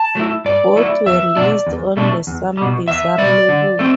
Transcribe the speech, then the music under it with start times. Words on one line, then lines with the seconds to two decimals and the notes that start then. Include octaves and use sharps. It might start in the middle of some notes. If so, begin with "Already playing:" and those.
Both were released on the Some Bizzare label.
Already playing: A5
0.15 F#3 A3 E4
0.45 G2 D5
0.76 F#3 A3 E4
1.06 E2 E5
1.36 B2 A3 D4 D5
1.67 E2
1.97 B2 A3 D4
2.27 E2
2.57 B2 G3
2.88 E2 E5
3.18 B2 G3 D5
3.49 D3
3.79 A3 C4